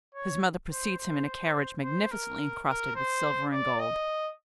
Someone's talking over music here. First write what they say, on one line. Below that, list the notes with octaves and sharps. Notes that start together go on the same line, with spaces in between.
His mother precedes him in a carriage magnificently encrusted with silver and gold.
C#5
C5
C5
C5
A#4
A#4
C5
D5
D#5